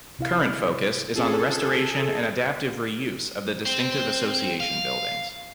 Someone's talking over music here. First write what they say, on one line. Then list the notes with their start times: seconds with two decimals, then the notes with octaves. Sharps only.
Current focus is on the restoration and adaptive reuse of the distinctive Association buildings.
0.19 C3 E4 F5
1.16 C4 C#4 F4 G#4 A4
3.65 C4
4.60 F5